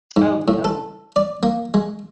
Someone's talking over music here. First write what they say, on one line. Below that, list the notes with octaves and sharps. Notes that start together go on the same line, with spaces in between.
Oh, no.
G#2
A2
A4
D5
A#3
G#3